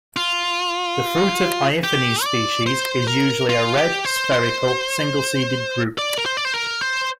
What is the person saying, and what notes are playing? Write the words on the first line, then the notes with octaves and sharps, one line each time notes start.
The fruit of "Aiphanes" species is usually a red, spherical, single-seeded drupe.
F4
G4
D5
C5
A#4
F4
G4
C5
C5
D5
A#4
C5
D5
C5
A#4
C5